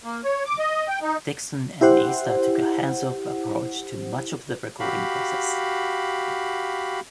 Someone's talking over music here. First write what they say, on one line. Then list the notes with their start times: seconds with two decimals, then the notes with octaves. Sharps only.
Dixon and Easter took a hands-off approach to much of the recording process.
0.04 A#3
0.24 C#5
0.46 D6
0.59 D#5
0.88 G5
1.02 D#4
1.81 E4 G4 C5 F#5
4.80 F#4 G4 F5 B5